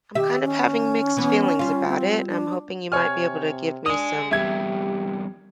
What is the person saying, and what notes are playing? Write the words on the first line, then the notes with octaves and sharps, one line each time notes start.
I'm kind of having mixed feelings about it. I'm hoping you might be able to give me some
D#3 G4 E5
C#4
E3 B3
G3 F4
C4
D4
C3 C#5 G#5 F6
D4 D#5 G#5 D#6
E2 G2 G4 E5 G#6